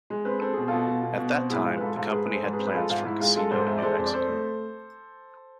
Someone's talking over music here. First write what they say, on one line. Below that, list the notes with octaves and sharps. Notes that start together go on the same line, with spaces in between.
At that time, the company had plans for a casino in New Mexico.
G#3
C4 B4
C4 A4
B2 G#4
B2 F4 A4
B2
B2
B2
C4
G#2 E4 G#4
G#3 F4
B4
G#2 F4 A4
G#2 F4 A4
G#3 G#4 B4
G#3 B4
A4 C5
G#2
G#4 B4
C4
B4
G#3 F4 A4
G#2 F4
G#2 E4
G#3 F4
G#3 F4 A4
G#2 A4 C5
G#3 C5 E5
D5
G#3 A4 C5
F2 C5
D5
C4 A4 C5
A3